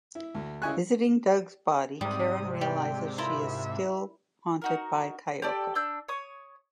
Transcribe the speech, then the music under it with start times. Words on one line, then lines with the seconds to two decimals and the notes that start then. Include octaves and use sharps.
Visiting Doug's body, Karen realizes she is still haunted by Kayako.
0.15 E4
0.35 D2
0.62 C#3 E4 D#5 G#5 C#6 F#6
2.01 G#2 C3 G3 D#6
2.61 G3 G5
3.18 E4 F4 A#4 E5
4.62 D#4 F#4 A#4
5.42 G4 A4 D5
5.75 D4 E6 G6
6.08 C#5 C#6 D#6